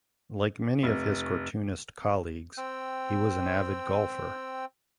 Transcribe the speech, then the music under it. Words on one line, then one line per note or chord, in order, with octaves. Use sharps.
Like many of his cartoonist colleagues, he was an avid golfer.
F1
C4 G5 E6